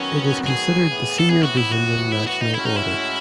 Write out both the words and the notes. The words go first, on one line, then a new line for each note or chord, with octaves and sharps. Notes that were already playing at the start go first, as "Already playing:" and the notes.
It is considered the senior Brazilian National Order.
Already playing: D#3 F#3 B3 C#4 F#4
G#4
A2 E3 B3
A4
G#4
F#4
E4
F#4
E4
F#4
D#4
A2 G#3 C#4 E4 F#4
D#4
E4